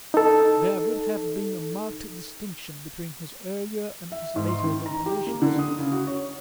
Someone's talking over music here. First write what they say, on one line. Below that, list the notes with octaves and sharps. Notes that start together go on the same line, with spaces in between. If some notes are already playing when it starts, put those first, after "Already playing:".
There would have been a marked distinction between his earlier and his later compositions.
D#4 A4
E5
G#2
C6
D#3
A#5
G4
A#3
D3
D#6
C#3
F#4
C#5